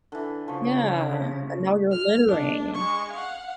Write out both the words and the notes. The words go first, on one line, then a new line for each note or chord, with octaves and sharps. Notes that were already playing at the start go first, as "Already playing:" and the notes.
Yeah, and now you're littering.
D3 E3
C#3 F3 C5 C#5
F6
D4
G#3 C#6
F5 F#5